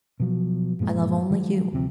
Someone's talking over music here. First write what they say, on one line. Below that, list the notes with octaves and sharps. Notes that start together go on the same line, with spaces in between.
I love only you.
B2 F3 F#3
G2 A#2 F3 G#3
D#3 F3 F#3 G#3
D2 C3 F3